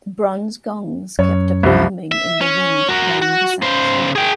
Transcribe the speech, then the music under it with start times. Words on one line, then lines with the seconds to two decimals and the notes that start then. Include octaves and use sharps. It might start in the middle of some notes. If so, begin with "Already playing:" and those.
The bronze gongs kept up a humming in the wind round the sanctuary.
1.19 F#2 C#5
1.63 C2 G2 F3
2.12 E5
2.41 C#4
2.89 F#4 A#4
3.22 F#4
3.62 C#3 C5
4.16 G#4 G5